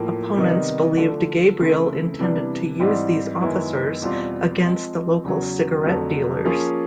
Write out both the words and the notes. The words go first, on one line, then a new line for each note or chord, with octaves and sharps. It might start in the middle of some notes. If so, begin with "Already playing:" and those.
Opponents believed Gabriel intended to use these officers against the local cigarette dealers.
Already playing: A2 F3 A#3
C3 D#3 G3 B3 D#4
D3 F3 A3 D4
C#3 E3 A3 C4 E4
C3 E3 G3 B3 D4
G#2 E3 G3 C4
F#2 D#3 G#3 B3 E4
E2 B2 G3 C4 F4
F3 G#3 C4
E2 C#3 F#3
F2 D3 F#3 A3
F3 A#3 C#4 F4 G#4